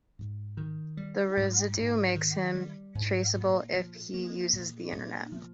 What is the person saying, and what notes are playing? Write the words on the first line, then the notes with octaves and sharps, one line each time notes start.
The residue makes him traceable if he uses the internet.
G#2
D#3
G3
G#2
G#2
D#3
G3
G#2
A#2
F3
A#3
A#2
A#2
F3